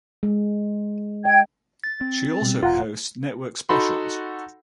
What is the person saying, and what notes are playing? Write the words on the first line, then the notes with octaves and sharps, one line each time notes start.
She also hosts network specials.
G#3
D#5 G5 G#6
A6
C4
B2 G3
E1 F4 F5 F#5 A#5
D#4 F#4 A4 F#5 B5 C6